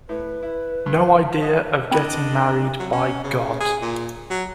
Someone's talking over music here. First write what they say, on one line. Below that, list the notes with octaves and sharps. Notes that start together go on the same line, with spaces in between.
No idea of getting married, by God!
A2 B4
E4
G2
D#5 F#5
C4 D4 E4 D#5 B5
F#3
C#4
C#3
G#4
A#2
F#3